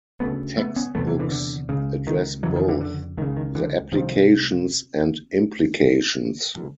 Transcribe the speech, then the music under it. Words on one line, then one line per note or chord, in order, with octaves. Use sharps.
Textbooks address both the applications and implications.
D2 C#3 A3 B3
A3 B3
B3 C#4
E2 C3 A3 B3
E3 F#3
D3 E3
D3
C#2 C#3
D#3
F2 C#3 E3 F#3
D#3 F3
D3 E3
D3
C#2 C#3 D#3
D#3
D3 E3
C2 C3 D#3 F3